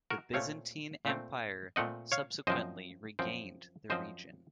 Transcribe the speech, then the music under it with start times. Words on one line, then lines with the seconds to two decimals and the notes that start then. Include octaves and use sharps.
The Byzantine Empire subsequently regained the region.
0.10 F#4 A#4
0.34 A#2 A3 C4 C#5 F5
1.05 A#2 A3 C4
1.76 A#2 A3 C4 D#5 F#5
2.12 C#5 F5
2.47 F#2 F3 C4 C5 D#5
3.19 F#2 F3 C4
3.90 F#2 F3 C4 C5 D#5